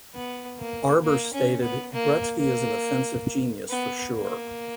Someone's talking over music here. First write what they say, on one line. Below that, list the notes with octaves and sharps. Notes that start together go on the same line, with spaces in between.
Arbour stated, Gretzky is an offensive genius for sure.
B3
A#3
A#3
C#4
B3
A#3
A#3
B3
A#3